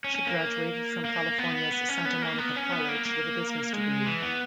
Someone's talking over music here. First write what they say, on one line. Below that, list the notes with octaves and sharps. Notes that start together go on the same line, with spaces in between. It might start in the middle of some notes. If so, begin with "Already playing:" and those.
She graduated from California's Santa Monica College with a business degree.
C#4
C#4
A#3
A#3
B3
B3
B3
C#4
B3
A#3
B3
C#4
B3
A#3
A#3
G#3
E3
B3